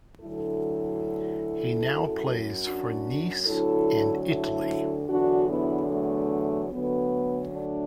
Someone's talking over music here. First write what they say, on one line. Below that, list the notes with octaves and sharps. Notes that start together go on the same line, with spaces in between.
He now plays for Nice and Italy.
D2 D3 F#3 E4 A4
F#2 F#3
D4 F#4
D2 D3 F#3 E4 A4
E4 A4
E2 D3 F#3 D4 F#4
B3 E4
A3
D2 D3 F#3 B3
A3 D4